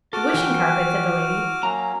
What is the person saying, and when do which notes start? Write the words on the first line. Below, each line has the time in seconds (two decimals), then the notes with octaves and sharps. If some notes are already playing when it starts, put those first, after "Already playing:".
'The wishing carpet?' said the lady.
0.13 F#4 A4 D6 F6
0.34 E3 G5
1.63 F#3 A#3 C#4 A#5